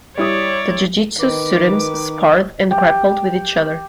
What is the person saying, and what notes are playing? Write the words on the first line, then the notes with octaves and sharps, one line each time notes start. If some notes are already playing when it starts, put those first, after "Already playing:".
The jujitsu students sparred and grappled with each other.
G3 E4 C#5 D5 D#6
D#3 B4 D6
G4